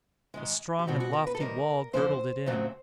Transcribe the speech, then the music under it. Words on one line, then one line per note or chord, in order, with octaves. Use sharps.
A strong and lofty wall girdled it in.
G#2 D#3 G#3
G4
B2 G3 C4 F#4
F#4
A#4
B4
A4
C3 D#3 G3 A#4
F2 D3 F3 G#3 C4 C5
F2 C#3 F#3 A3 C4